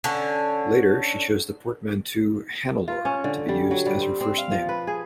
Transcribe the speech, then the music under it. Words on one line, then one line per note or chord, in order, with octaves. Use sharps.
Later, she chose the portmanteau "Hannelore" to be used as her first name.
D3 C#4
F4
C#4
D3
G3
F#3
G3
C4
C4
F5
F3
B4
G#4